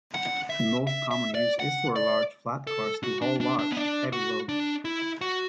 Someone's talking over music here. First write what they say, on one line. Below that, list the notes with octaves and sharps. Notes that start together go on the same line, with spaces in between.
The most common use is for large flatcars to haul large, heavy loads.
F#5
E5
E5
E5
D5
F#5
D5
A4
F#4
D4
D4
D4
B3
D4
F#4
D4
E4
F#4